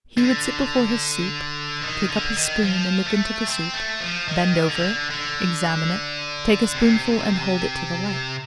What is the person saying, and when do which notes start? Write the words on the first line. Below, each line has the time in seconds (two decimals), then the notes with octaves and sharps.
He would sit before his soup, take up his spoon and look into the soup, bend over it, examine it, take a spoonful and hold it to the light.
0.18 D3
1.82 D#3
2.10 D3
2.37 D#3
2.64 F3
3.06 A3
3.47 C4
3.74 A3
4.00 F3
4.28 D#3
4.69 D3
5.10 D3
6.75 C3